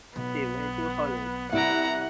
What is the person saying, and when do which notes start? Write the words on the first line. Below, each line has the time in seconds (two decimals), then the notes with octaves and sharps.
He went to Holland.
0.16 B1 B3
1.53 C2 E4 F#5 A#5 D7